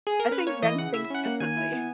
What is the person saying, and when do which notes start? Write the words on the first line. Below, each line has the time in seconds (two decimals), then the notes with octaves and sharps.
I I think men think differently.
0.07 G#4
0.20 A#4
0.31 C#4 B4
0.47 A#3 C#5
0.63 E3 D#5
0.78 C#3 F#5
0.94 E4 E5
1.05 E5
1.10 C#4 F#5
1.25 A#3 F#5
1.40 D#3 G#5
1.57 E4
1.72 B3